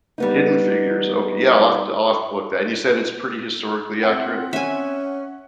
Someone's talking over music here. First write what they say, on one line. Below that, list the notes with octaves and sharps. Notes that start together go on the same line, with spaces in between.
Hidden Figures, oka yeah, I'll have t I'll have to look that and you said it's, pretty, historically accurate?
G3 B3 D#4
C4 F#5
C#4 E5 G#5